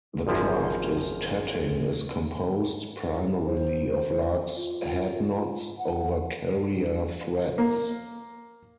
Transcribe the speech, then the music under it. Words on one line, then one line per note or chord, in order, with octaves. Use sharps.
The craft of tatting is composed primarily of lark's head knots over carrier threads.
G#1 F#2 F3 E4 G5
C5
F4
F4
F#5
A#3